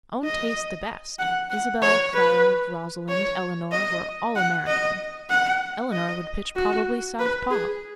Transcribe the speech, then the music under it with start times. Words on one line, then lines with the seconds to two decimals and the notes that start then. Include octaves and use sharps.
Own taste the best; Isabelle, Clara, Rosalind, Eleanor, were all-American. Eleanor would pitch, probably southpaw.
0.24 D#5
1.19 F#5
1.50 F#5
1.82 C#5
2.14 B4
3.08 C#5
3.72 D#5
4.35 F#5
4.67 D#5
5.30 F#5
5.93 D#5
6.56 F#4
7.19 B4
7.50 G#4